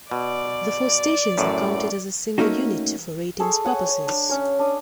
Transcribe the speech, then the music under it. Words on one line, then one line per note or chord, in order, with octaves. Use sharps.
The four stations are counted as a single unit for ratings purposes.
B2 D5
F#2 A2
A3 A#3 C#4 D#4 F#4
G#4 A4 C6 C#6
C#5 F#5 G#5
C#5
D4
C#4 C#5
D4 D#6